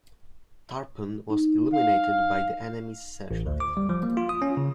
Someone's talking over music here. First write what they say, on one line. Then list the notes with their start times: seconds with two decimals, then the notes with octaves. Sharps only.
"Tarpon" was illuminated by the enemy's searchlight.
1.30 D#4
1.73 F5
3.31 A1
3.46 D2
3.60 D6
3.77 G3
3.89 F3
4.03 A#3
4.17 F4
4.29 D#6
4.42 C#4
4.57 C#3